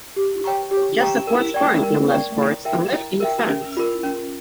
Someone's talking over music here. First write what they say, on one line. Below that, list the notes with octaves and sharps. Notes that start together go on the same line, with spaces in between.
Josep was born in Les Corts and lived in Sants.
G4
C#5 G5 A#5 C#6
G4
C#5 G5 A#5 C#6
A#4
D5 G5 C#6
A#4
D5 G5 C#6
E4
A#4 E5 G5
E4
A#4 E5 G5
C#4
F4 A#4
C#4